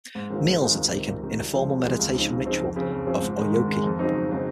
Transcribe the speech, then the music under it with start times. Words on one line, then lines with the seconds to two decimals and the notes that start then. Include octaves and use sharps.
Meals are taken in a formal meditation ritual of oryoki.
0.15 G#2
0.30 D#3 G#3 C4 F4
0.46 G#2
0.61 D#3 G#3 C4 F4
0.77 C#2
0.92 C3 D#3
1.08 C#2
1.23 C3 D#3
1.38 C2
1.53 C3 F3 G#3
1.69 C2
1.84 C3 F3 G#3
1.99 C#2
2.14 C#3 F3 C4 D#4
2.30 C#2
2.45 C#3 F3 C4 D#4
2.61 F2
2.76 C#3 F3 C4
2.92 F2
3.07 C#3 F3 C4
3.22 G#2
3.37 D#3 G#3
3.53 G#2
3.68 D#3 G#3
3.84 F2
3.99 C#3 F#3 C4 D#4
4.14 F2
4.30 C#3 F#3 C4 D#4